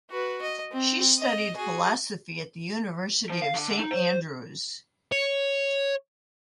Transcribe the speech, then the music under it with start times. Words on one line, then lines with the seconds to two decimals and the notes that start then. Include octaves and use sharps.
She studied philosophy at the University of St Andrews.
0.11 F#4 B4
0.42 D#5
0.72 C4
1.19 D#5
1.55 F#4 G#4
3.30 F3
3.42 F5
3.54 D3
3.79 D#4
3.91 C5
5.12 C#5